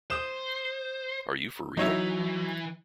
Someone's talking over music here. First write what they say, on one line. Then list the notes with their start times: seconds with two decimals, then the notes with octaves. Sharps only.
Are You for Real?
0.10 C5 D#6 G6 E7
1.77 E3 F#3 D#4 C#5 E5